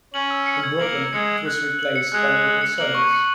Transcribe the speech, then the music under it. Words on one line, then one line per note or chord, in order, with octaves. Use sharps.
In Brooklyn, it was replaced by local service.
C#4 F#7
E6
C#7
G#6
A#3 F#7
E6
G#3 C#7
G#6
F#6
F#6
F#7
C#7
G#3 F#6
F#6
F#7
C#7
A#3 F#7
C#6
C#7